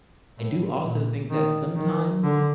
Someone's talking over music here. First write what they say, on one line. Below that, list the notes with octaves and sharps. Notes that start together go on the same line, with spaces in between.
I do also think that sometimes
A2
A#2
D#3
D#3
D3